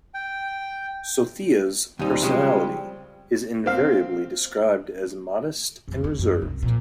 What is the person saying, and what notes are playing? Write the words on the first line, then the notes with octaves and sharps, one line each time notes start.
Sothea's personality is invariably described as modest and reserved.
G5
D#2 G3 C4 D#4
C#3 F3 G#3
C4 F5
F2 D#3
G3 G#3
F#2
C2 F#3
A#2 F3